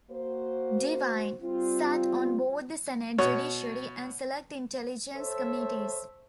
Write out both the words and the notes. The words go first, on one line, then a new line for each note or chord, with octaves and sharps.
DeWine sat on both the Senate Judiciary and Select Intelligence committees.
A#3 F#4 C5
G3 C4 F4
B2 C#5
A4 C5 C#5 E5